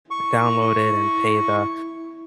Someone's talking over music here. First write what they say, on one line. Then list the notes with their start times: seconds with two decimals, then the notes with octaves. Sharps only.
download it and pay the
0.11 E4 C#6